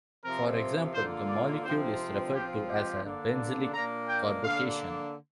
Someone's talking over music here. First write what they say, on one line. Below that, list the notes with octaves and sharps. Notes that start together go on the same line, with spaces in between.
For example, the molecule, is referred to as a "benzylic" carbocation.
C3 F3 C4 A#4
D3 A#3 F4 C5
D5
C3 F3 C4 F4 C5
F3 C4 F4 G4
G4
D3 A#3 D4
A#2 A#3 D4 A#5
G5
D3 A#3 D4 F5